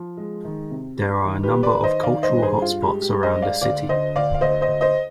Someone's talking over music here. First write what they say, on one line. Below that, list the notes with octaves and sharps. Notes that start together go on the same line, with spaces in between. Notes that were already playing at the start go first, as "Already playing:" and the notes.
There are a number of cultural hot spots around the city.
Already playing: F3
G#3
D#3
C3
G3
D#3
G4 B4
G3
B4 D5
D#3
C5 D#5
D#3 D5 F5
C5 D#5
G2
B4
G#4 C5
G2
F4
G#3 G4
G4
G2
C5 D#5
G#3
D5 F5
D2 D5 F5
D3 C5 D#5
D2 D5 F5
F5
D2 C5 D#5
C5 D#5
D2
C5 D#5